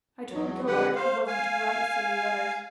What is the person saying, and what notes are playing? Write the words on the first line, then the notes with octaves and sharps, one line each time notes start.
I told Gilbert he wasn't to write silly letters.
E2 F#3
F2 D3 G4 B4 F#5
C5 F5
F5 G#5